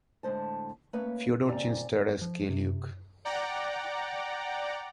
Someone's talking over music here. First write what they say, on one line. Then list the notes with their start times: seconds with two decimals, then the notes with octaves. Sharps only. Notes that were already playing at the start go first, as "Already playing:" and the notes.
Feodor Chin starred as Keye Luke.
0.23 A2 D3 G#3 C5 A5
0.93 A3 A#3 C#4 B4 C#5
1.45 D#2 G#2 C#3 C4 D5 A#5
2.21 F3
2.50 C3
3.25 D5 F#5 G5 A#5 D6